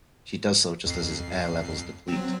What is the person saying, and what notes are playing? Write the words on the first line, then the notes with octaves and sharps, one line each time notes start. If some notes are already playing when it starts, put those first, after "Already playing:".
She does so just as his air levels deplete.
F2 C7
F#3 C4